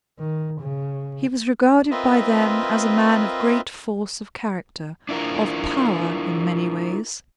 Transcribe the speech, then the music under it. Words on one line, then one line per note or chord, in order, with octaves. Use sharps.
He was regarded by them as a man of great force of character; of power in many ways.
D#3
C#3
C4 F4 A#4 B4 D#5 E5
D4 E4 F4 A#4